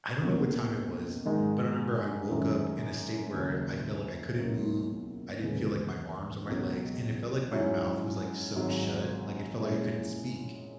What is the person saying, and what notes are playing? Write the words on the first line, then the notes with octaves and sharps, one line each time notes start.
I don't know what time it was, but I remember I woke up in a state where I felt like I couldn't move. I didn't feel like my arms or my legs, and it felt like my mouth was, like, sewed shut, like, it felt like I couldn't speak.
C#2 B2 A#3
G#2 D#3 G#3 D#4
F#1 F#2 D#3 G#3
D#2 C#3 F#3
C#2 B2 F#3 A#3 E4
E1 D#2 C#3 G#3 B3
C#2 B2 F#3
G#2 F#3 C#4 E4
G#1 G#2 F#3
A#2 G#3 C#4 E4